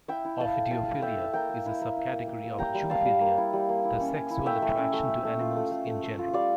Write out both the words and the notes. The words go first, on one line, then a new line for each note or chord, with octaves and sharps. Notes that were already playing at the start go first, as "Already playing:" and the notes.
Ophidiophilia is a subcategory of zoophilia, the sexual attraction to animals in general.
E4 E5 G5
E4
E4 F5 A5
A3
E4 F5 A5
A3
A3 E5 G5
E4
A5
A#3 G5 A#5
A#3
E4
A#3
E4
A#3
A#3
A#3
G3 G5 A#5
G3
G3 F5 A5
G3
A#3
E4
G3
A#3
E4
C#4
C#4
E4
A3 E5 G5
A3
C#4
A3
A3
A3
F4
A3
A3
A3
A3
F4
G3 D5 F5